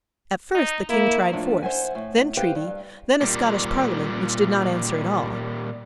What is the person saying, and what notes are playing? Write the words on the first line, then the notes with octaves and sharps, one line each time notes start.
At first the King tried force, then treaty, then a Scottish Parliament which did not answer at all.
D#4
A#3 E4
A2 F3 D4 F4
C5 E5 F#5 G#5
A2
G4 B4 C5 F5 G5
G2
A#2 G3